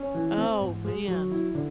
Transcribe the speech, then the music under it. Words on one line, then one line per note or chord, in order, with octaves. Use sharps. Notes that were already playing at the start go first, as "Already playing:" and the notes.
Oh, man.
Already playing: C#4
E3
C4
G#2
G#3
F#3
E4
D3